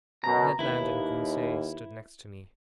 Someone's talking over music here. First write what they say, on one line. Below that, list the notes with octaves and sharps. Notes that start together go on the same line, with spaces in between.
Ned Land and Conseil stood next to me.
F#2 B2 A#5
D#2 E4 B4